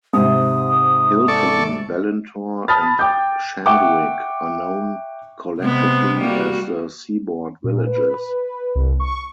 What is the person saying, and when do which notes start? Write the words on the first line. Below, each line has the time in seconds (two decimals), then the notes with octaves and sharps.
Hilton, Balintore, and Shandwick are known collectively as the Seaboard Villages.
0.13 G#2 C3 D#6
1.28 A4 D5 C#6
2.68 A5 B5 D#6 F6 A6
2.99 G5 D6 G6
3.66 E5 F#5 G5 C#6 D6
5.60 C3 G#3 B3
6.19 G3 A#3 F#4
7.64 A#2
7.86 B4
8.75 C2
9.00 C#6